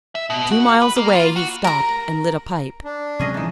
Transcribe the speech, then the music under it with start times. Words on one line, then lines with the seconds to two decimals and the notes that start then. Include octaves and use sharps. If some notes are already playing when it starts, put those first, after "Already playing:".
Two miles away he stopped and lit a pipe.
0.15 E5
0.30 B2
0.51 F#4
0.82 B4
0.96 A#3
1.15 F4
1.36 F#4
1.64 A#4 A#5
2.84 D4
3.19 C3 F#3 G#3 C#4 G#4 D#5
3.34 E3 F3 D#4